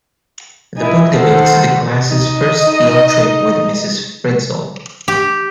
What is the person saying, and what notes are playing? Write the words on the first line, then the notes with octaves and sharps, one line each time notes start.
The book depicts the class's first field trip with Ms. Frizzle.
D#4 E4 G#5
D#3 A4 C5 F#5
D#4 D#5
D#4
G4